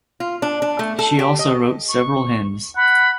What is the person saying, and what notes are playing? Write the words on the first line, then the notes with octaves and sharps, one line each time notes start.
She also wrote several hymns.
F4
D4
D4
A3
A4
G4
D#5
C#6
F#5 B5